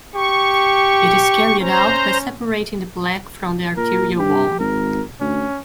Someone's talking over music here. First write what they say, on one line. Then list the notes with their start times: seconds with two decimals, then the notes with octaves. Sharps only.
It is carried out by separating the plaque from the arterial wall.
0.15 G4 C#6
1.60 C#4 C5 A#5
3.77 A#2 A#4
4.19 G2 G4
4.59 G#1 A#4
5.21 D2 C#4